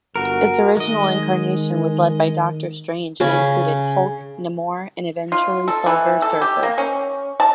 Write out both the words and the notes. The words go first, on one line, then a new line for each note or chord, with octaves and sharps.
Its original incarnation was led by Doctor Strange and included Hulk, Namor, and-eventually-Silver Surfer.
G1 F#4 A#4
D#3 G#3 D#5
C#3 C#4 B5
F4
A4
E3
A4
G4
A#3
C#4
A5